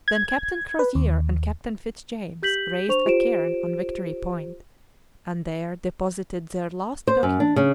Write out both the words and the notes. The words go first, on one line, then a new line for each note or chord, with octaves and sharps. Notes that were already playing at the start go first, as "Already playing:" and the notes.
Then Captain Crozier and Captain Fitz-James raised a cairn on Victory Point, and there deposited their last document.
G#6
B4
D#2
G4 G6 B6 F#7
D4 C5 C#6 F7
F4 G4 C5 D7 E7
C5
F#2
D4
C#3